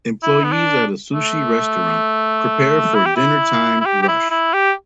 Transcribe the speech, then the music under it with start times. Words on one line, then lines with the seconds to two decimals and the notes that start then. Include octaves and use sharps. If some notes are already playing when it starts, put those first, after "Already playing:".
Employees at a sushi restaurant prepare for dinner time rush.
0.23 E4
0.44 B3
0.53 D4
1.14 A3
2.95 E4
3.06 G4
3.16 E4
3.80 E4
3.86 G4
4.02 G4
4.08 E4
4.31 E4
4.54 G4